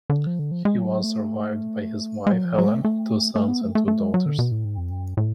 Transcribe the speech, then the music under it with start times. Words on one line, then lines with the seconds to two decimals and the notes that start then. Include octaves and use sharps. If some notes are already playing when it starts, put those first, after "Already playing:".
He was survived by his wife Helen, two sons and two daughters.
0.10 D3
0.27 F3
0.39 D3
0.51 F3
0.65 G#3
0.78 F#3
1.04 A3
2.27 G#3
2.32 F#3
2.45 F3
2.58 F#3
2.66 G#3
2.72 A3
2.85 A3
3.36 A3
3.48 B3
3.61 A3
3.75 A3
3.88 A3
4.00 G#3
4.14 F#3
4.26 D3
4.39 B2
4.52 A2
4.65 G#2
4.77 F2
4.91 F#2
5.17 A2